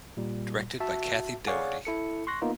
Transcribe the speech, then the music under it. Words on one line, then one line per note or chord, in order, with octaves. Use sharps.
Directed by Kathy Daugherty.
A#2 G3
F#4 E5 A5
G#4 C#5 D5 F5 F#5 G#5
E4 A4 C#7
C6 C#6 F#6 A#6
A#3 B3 D#4 F4